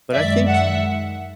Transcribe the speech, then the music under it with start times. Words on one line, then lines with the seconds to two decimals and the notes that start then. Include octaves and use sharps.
But I think
0.12 F#2 D#3 G#3 D5 E5
0.46 E5 F#5